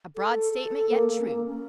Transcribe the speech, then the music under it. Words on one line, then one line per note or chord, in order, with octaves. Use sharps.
A broad statement, yet true.
A4
A4
A#3
A#3
C#4
A#3
C#4